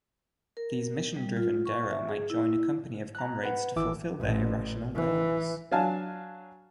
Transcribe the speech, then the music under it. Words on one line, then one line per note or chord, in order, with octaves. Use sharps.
These mission-driven derro might join a company of comrades to fulfill their irrational goals.
A#4
G3
F4
C#6
E5
G#4
E4
A#5 F#6
B4 F#5
G#1 E3 E5 D6 E6
A1
E3
F#3 D4 F5 G#5 A5